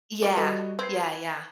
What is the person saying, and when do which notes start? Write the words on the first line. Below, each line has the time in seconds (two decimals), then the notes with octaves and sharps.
Yeah. Yeah, yeah.
0.22 A#3 F4 D5
0.36 G3 F#4 A4 B4 D#5
0.79 C4 B4 G#6 C7